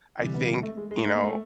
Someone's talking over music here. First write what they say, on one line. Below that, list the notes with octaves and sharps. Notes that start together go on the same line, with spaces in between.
I think, you know,
D2 C3 E3 G3
B3
A#3
A3
G#3
G#3
A3
A#3
A3